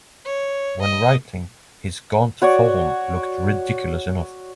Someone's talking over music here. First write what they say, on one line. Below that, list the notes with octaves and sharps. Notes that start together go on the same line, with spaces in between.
When writing, his gaunt form looked ridiculous enough.
C#5
D#5
F#4 C#5 D5